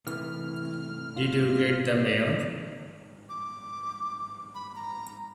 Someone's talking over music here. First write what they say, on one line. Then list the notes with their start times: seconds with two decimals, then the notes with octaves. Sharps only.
Did you get the Mayor?
0.07 A2 C3 E3 F6
1.16 F4
3.29 D6
4.55 B5
4.76 A#5